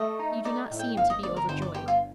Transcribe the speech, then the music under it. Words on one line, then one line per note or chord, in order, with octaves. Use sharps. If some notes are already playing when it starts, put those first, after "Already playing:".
'You do not seem to be overjoyed.'
Already playing: A3 D#5
D#4
D#4 D5
A2
G5
G1 F5
D#5
G1 D5
A#4
G1 C5
D5
G1 G4
F4